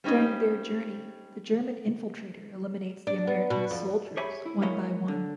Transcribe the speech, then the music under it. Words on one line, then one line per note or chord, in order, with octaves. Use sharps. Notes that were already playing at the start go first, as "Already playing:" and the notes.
During their journey the German infiltrator eliminates the American soldiers one by one.
G3 C4 C#4 D#4
D4
B3
B2
F2
G4 G#4 C#5 E5 G#5 B5
E4
F#3 G#3 A#3 E4 C#5 D#5
D3